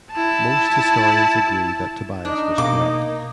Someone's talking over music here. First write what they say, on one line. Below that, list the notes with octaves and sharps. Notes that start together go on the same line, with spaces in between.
Most historians agree that Tobias was correct.
E4 A5
D4 D#4
B2 A#3 D6